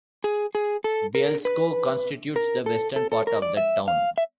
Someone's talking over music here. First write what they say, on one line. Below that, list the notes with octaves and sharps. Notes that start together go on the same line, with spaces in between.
Bielsko constitutes the western part of that town.
G#4
G#4
A4
A#4
B4
A#4
A4
A4
A4
A#4
D5
E5
F5
E5